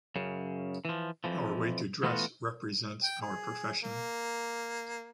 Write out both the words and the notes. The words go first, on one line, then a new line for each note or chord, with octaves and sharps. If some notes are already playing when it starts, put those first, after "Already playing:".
Our way to dress represents our profession.
F#2 C#3
E3 F3
F2 E3 F3
E3 A3 B3 F4 F#4
G5
G#4
A#3